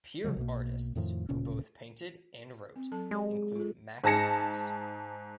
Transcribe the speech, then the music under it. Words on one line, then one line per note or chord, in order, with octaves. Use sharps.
Peer artists who both painted and wrote include Max Ernst.
C#3 F3 F#3 G#3
B1 B2 A#3
F2 A2 D#3 F3
D1 A#2 C#3 C#4
C4
F#3 A4 A5
G#3 G4 D5
F4 A4
G#2 G#4 A5 A#6 C#7